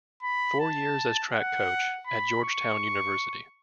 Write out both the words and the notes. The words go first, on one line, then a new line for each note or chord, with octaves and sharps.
Four years as track coach at Georgetown University.
B5
A5
F#5
B5
C#6